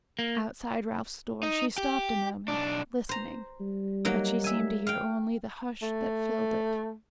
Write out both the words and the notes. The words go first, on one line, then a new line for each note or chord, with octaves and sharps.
Outside Ralph's door she stopped a moment, listening, but she seemed to hear only the hush that filled it.
A#3
D#4
G4
B1 D4
C5 A#5
G3
F#3 A#3 D#4
E5 G#5
F5 G5
A3